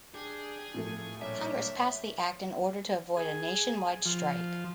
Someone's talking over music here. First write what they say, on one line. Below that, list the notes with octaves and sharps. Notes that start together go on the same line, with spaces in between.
Congress passed the Act in order to avoid a nationwide strike.
D4 G4 G#4
A2 F3 A3 G#5
A#2 G3 D4 C#5 E5
G#4
F3